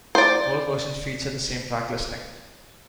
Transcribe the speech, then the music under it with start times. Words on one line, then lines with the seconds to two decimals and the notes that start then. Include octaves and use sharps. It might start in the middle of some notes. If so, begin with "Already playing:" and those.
Both versions featured the same track listing.
0.15 C5 D5